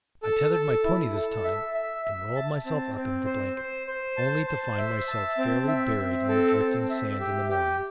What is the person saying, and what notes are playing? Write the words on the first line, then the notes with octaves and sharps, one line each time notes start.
I tethered my pony this time, and rolled myself up in the blanket, only to find myself fairly buried in the drifting sand in the morning.
A4
A4
E4
A4
E5
E5
E5
A5
C4
C4
C5
C5
C5
A5
C5
E5
A5
C4
E5
C4
A4
C4
E5
G4
G4